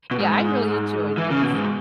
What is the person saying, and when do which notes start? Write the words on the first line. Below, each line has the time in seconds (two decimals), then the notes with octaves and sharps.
yeah, I really enjoyed this.
0.11 B2
0.19 G#2
1.17 E3
1.30 C#3
1.42 B2
1.55 G#2